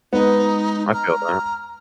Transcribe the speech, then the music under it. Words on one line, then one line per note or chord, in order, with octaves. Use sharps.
I feel that.
G#3 B3 D#4
A#5 F6